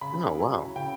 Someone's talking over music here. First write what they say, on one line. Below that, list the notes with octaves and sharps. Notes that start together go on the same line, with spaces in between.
Oh, wow.
C#3 B5
F#3 C#4 E4
C#3 G5